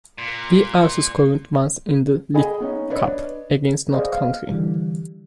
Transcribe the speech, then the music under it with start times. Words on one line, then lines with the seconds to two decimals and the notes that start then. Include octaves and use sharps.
He also scored once in the League Cup against Notts County.
0.18 A#2
2.34 G#4 D#5 G#5 B5
2.60 B3 C#4 D#4
2.90 D4 B4 C#5 D#5
3.94 G#4 B4 C5 D5 D#5 F5
4.13 F5
4.50 D3 E3 G3